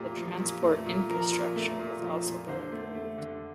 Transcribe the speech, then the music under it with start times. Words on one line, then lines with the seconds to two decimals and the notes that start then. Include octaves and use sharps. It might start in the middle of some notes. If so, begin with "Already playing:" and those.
The transport infrastructure has also been improved.
Already playing: A#2 A3 G4
0.17 F3
0.39 A#2
0.62 A3
0.86 A#2
1.10 F3 A#4
1.32 A#2
1.56 A3
1.79 A#2
2.02 F3
2.26 A#2
2.48 D3 C5
2.72 A3
2.95 A3
3.18 D3